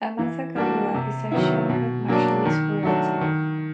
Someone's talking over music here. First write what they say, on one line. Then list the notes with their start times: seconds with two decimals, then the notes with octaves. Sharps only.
Amata Kabua is a scion of Marshallese royalty.
0.19 E3
0.56 G3 A#3 D4 F#4
0.94 C3
1.32 D#3 F#3 B3 E4
1.69 B2
2.08 F#3 A#3 D4
2.45 D#3
2.83 F#3 A3 D4 F#4
3.21 D#3